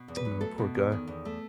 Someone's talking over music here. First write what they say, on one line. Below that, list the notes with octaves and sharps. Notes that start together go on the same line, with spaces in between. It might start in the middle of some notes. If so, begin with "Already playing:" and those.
No, poor guy.
Already playing: B2
E2
B4
F#3
A3 A4
B2
E2
D#3
E2
A3